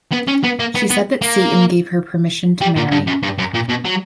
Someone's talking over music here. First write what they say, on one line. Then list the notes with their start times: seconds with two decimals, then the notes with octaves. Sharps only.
She said that Satan gave her permission to marry.
0.13 B3
0.28 C#4
0.44 B3
0.59 A#3
0.75 B3
0.90 B3
1.22 A#3
2.61 G3
2.76 A#2
2.92 G2
3.07 F#2
3.23 G2
3.38 F#2
3.54 A#2
3.69 B2
3.85 F#3